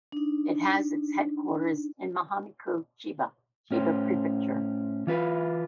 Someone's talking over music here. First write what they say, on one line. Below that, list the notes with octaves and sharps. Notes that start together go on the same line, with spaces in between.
It has its headquarters in Mihama-ku, Chiba, Chiba Prefecture.
D4 D#4
A2 C#4 C5
E3 F4 B4